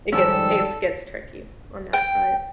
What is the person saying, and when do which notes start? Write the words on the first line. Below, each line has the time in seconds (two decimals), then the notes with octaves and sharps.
it gets it's gets tricky on that front,
0.13 G#2 D#3 F3 G3 C#4 A4 E6
1.93 G5